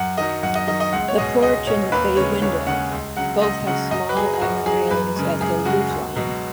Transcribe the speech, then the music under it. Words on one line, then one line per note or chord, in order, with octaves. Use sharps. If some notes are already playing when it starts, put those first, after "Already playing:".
The porch and the bay window both have small iron railings at their roofline.
Already playing: F#2 F#5
D#3 F#3 D#5
F#2 F#5
D#5
D#3 F#3 D#5
D#5
C#2 F#5
C#5
B2 G#3 D#5
C#2 D#5
B2 G#3 C#5
C#5
D#2 B4
C#3 G#3 C#5
D#2 C#5
C#3 G#3 F#5
C#2
C#3 F#3 F#5
C#2 D#5
C#3 F#3 F#5
F#2 D#5
B4
F#3 G#4
G#4
F#2 F#4
F#3 G#4
F#2 B4
C#3 G#3
F#2 G#4
C#3 G#3 F#4
C#2
B2 F#3